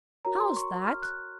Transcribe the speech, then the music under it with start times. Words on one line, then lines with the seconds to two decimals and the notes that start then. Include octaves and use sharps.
"How's that?"
0.25 F#4 A#4 C#5 A#5
0.40 C6
0.56 C#6
0.86 F6
1.02 F#6